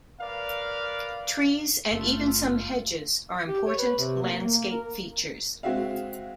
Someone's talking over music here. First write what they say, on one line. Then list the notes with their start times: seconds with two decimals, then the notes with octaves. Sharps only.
Trees and even some hedges are important landscape features.
0.20 A#4 B4 D5 F5
1.91 F#1 A3 F4
3.48 G4
3.67 C#5
3.78 B4
3.99 C3
4.22 A#3
4.46 A#3
4.71 A#4
5.63 G#3 C4 F#4 G#4 E5 F5